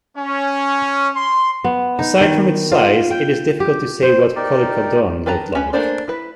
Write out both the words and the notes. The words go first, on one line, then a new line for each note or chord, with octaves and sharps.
Aside from its size, it is difficult to say what "Kollikodon" looked like.
C#4
C6
B3
D#4
D#3
F4
G5
G4
C5
D#4 G4 A#4 D5
D#3 B4 A5 A#5
C#4 B4
A3 A#3 D4 C5 D5
E4 B4